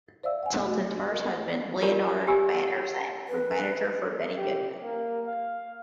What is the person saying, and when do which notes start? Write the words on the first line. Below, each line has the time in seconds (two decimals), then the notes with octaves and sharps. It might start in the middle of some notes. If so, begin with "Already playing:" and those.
Tilton's first husband, Leonard Vannerson, was manager for Benny Goodman.
0.23 C5 D5 E5 F5 E6
0.43 F#5 G#5
0.64 A3 F#4
1.07 A#4 D#5
1.81 F4 G4 A#4 C#5 D5 A#5
2.27 G4 G#5 B5 E6
2.68 F#5
3.28 B4
4.38 G4
4.82 A#3
5.27 F5